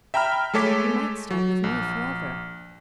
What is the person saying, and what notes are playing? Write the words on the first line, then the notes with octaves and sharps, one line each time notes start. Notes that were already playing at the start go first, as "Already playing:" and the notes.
You might stop with me for ever.'
E5 G5 A#5 B5 F6
G#3 A3 A4 C#5 D6 B6
F#3
A#1